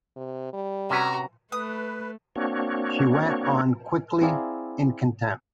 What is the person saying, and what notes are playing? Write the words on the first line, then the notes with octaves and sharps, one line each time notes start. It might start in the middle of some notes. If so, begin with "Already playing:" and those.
She went on quickly, in contempt.
C3
G3
C3 C#4 F#4 B4 A#5
A3 B4 D#6
A#3 C4 D4 F#4 C#5
C4 E4 G#4 D5 F5 A#5